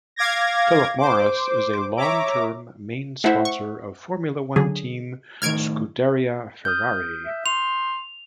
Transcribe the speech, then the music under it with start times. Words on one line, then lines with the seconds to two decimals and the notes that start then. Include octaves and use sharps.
Philip Morris is a long-term main sponsor of Formula One team Scuderia Ferrari.
0.16 F5 D6 G#6 A#6
0.98 C5 D6
1.97 C#5 E5 A#5 D6
3.24 A3 E4 C5 E5 F#5
3.45 C#6
4.56 D3 F#3 G#4
5.42 B1 A2 D#3 F6 G#6 D7
6.65 D#6 F6 G6
7.26 E5
7.46 C6 F7